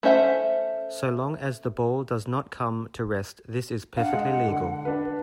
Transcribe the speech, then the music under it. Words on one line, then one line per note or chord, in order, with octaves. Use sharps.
So long as the ball does not come to rest this is perfectly legal.
A3 C#4 C5 E5 F#5
D4 F5 F#5
G#3
D3
D4 B4